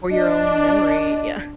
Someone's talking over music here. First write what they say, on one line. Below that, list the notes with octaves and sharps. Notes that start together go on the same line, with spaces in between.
Or your own memory. Yeah.
D4 D#5